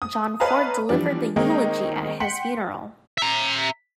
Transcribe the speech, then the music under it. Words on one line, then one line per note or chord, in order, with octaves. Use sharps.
John Ford delivered the eulogy at his funeral.
D#6
B4 C#5 D#5 F5 A5 A#5
E3 F3 G3 D4
D#3 G#3 A#3 C4 D#4 A#4
F#5 G5 C6 B6 C#7 F#7
E5 A#5